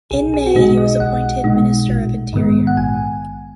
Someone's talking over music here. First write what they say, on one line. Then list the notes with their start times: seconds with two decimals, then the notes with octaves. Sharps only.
In May he was appointed Minister of Interior.
0.11 B1 G#4
0.34 G#4
0.46 F#4
0.55 B2 G#3 D#4 G#4
0.77 D#5
1.00 B1 F#5
1.44 B2 G#3 D#4
1.88 A#1
2.33 G#2 D#3 G#3 B3
2.67 F#5
2.77 A#1 G#5